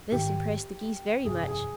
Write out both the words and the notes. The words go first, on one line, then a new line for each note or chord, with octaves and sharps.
This impressed the Geese very much.
G#1 G#2 D#3 G4
G1 F2 C3 F3 G#4
G#4